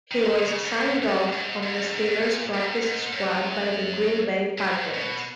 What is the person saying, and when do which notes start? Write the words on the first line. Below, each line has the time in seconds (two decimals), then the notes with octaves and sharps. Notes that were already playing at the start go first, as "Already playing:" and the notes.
He was signed off of the Steelers' practice squad by the Green Bay Packers.
0.11 D#3
0.43 C#3
0.63 F#2
0.73 G#2
1.03 F#2
1.32 G#2
1.63 G#2
1.78 F#2
1.93 G#2
2.08 B2
2.22 A#2
2.54 G#2
2.83 G#2
3.13 F#2
4.58 A#2
4.65 G#2
4.94 B2